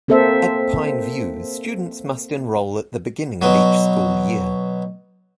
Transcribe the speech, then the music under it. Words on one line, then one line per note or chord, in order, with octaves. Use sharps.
At Pine View, students must enroll at the beginning of each school year.
A#3 C4 A4 C5 E5
B2 F#3